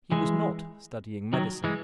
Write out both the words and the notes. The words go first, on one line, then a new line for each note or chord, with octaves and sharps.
He was not studying medicine.
E3 G#3
D#3 F#3
E3 G#3